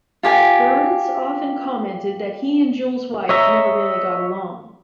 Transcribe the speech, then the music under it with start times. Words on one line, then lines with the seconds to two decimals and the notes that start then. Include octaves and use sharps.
Bernds often commented that he and Jules White never really got along.
0.23 F4 G4 G#5
3.29 C#5 D#5 E5 A#5